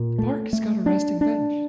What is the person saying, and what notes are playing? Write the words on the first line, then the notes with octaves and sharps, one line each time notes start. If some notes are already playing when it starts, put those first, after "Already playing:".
The park has got a resting bench.
Already playing: A#2
A3
A3
D4
D4